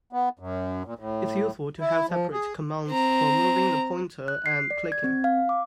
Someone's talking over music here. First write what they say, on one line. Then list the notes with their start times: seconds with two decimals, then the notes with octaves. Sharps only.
It's useful to have separate commands for moving the pointer and clicking.
0.13 B3
0.39 F#2
0.85 A#2
0.99 A2
1.80 E4
2.09 F3
2.32 G#4
2.88 C4 A#5
4.28 F#6
4.46 C7
4.71 D5
4.92 G#6
5.04 C4
5.24 F5
5.49 D6